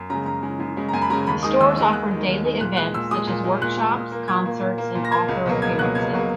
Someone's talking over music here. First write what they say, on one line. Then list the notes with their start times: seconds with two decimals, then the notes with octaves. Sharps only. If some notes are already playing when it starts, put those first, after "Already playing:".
The stores offered daily events such as workshops, concerts, and author appearances.
Already playing: F#2
0.10 C#3 A#5
0.14 G#3
0.26 F#2 A#5
0.43 C#3 G#3
0.60 F#2
0.77 C#3 G#3
0.89 A#5
0.93 F#2 G#5
1.02 B5
1.10 C#3 G#3 A#5
1.27 D#2 B5
1.43 D#3 G#3 D#6
1.60 D#2 E6
1.77 D#3 E6
1.80 G#3
1.93 D#2 F#6
2.11 D#3 G#3
2.28 D#2
2.43 D#3 G#3
2.60 A#2 F#6
2.77 G#3 F#6
2.94 A#2 E6
3.11 G#3 D#6
3.27 A#2
3.44 G#3
3.61 A#2 F#6
3.77 G#3
3.95 A#2
4.12 A#3
4.28 A#2 G#6
4.45 A#3
4.61 A#2
4.78 A#3
4.95 A#2
5.05 A#6
5.12 A#3 G#6
5.28 C#2
5.46 B2 F#3 A#3
5.62 C#2 G#6
5.79 B2 F#3 A#3 F#6
5.95 C#2 G#6
6.12 B2 F#3 A#3